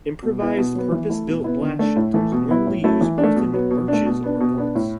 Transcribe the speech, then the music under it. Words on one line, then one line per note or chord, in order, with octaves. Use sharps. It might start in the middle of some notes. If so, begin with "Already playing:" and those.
Improvised purpose-built blast shelters normally use earthen arches or vaults.
B2
B3 E4
B2
F#3 B3
E3
A3 E4
B2
B3 E4
D3
A3 D4
A2
E3 A3
B2
B3 E4
A2
F#3 A3 E4
E3
D4
A3
B2
F#3 B3
B2
A3 D4
B2
B3 D4
B2
B3 D4
A2